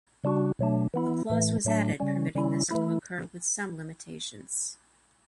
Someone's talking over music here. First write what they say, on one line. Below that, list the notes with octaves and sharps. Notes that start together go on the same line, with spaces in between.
A clause was added permitting this to occur with some limitations.
C#3 G3 D4 F#4
B2 F#3 A3 D4
E3 B3 E4
A2 E3 A3
A2 F#3 A3 D4
C#3 G3 C#4
C#3 G3 C#4 E4
E3 A3 E4